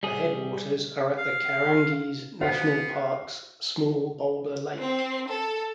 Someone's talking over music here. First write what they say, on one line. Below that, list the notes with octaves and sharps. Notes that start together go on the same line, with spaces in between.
The headwaters are at the Kahurangi National Park's small Boulder Lake.
G3 G#4
F5
B3 F#4 C5 F5
C4
A4